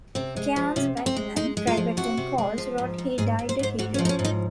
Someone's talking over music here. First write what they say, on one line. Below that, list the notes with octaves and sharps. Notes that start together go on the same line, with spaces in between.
Cairns's batman, Private N. Coales wrote He died a hero.
C3 C4
G#3
F3
C3 C#4
C3
C4
G#3
G#3 D#4
G#3
F4
F3
C3 F#4
C3
G#3
F3
G#2
G#2
G#2 G#4
G#2
C5
G#2 C5
G#2 F#4
C#4
F3
D#4
C#4
G#2
D#4